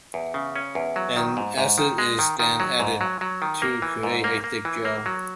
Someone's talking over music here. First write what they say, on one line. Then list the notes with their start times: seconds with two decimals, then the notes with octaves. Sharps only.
An acid is then added to create a thick gel.
0.14 E2
0.34 C#3
0.56 C#4
0.75 E2
0.96 F#3
1.16 D#3
1.37 G#2
1.58 G#2
1.78 D#3
1.98 G#3
2.19 D#3
2.40 D#3
2.60 F#3
2.80 G#2
3.01 F#3
3.21 F#3
3.42 D#3
3.62 A#3
3.82 E3
4.03 G#2
4.24 A#3
4.44 A#3
4.65 E3
4.85 A#3
5.06 F#3